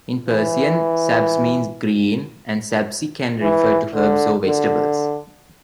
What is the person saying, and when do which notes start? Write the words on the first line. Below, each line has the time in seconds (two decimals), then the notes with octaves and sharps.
In Persian, sabz means green, and sabzi can refer to herbs or vegetables.
0.28 E3
3.42 E3
3.94 D3
4.46 D3